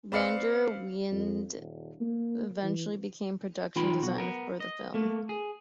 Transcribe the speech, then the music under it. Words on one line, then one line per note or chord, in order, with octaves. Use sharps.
Vander Wende eventually became production designer for the film.
C4 B4 D5 F5 C7 C#7
F2
D#1
A#3
E3
E3 D#4 F4 G5 B5 C6
B1 F#4
B3 A#4
D#5
A3 A#3
G#4